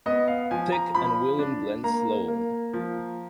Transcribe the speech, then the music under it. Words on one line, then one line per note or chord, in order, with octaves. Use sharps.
Pick and William Glenn Sloan.
B3 D#5
F5
F3 G#5
A#5
F3 B5
D4
A#3 A#5
A#3
F3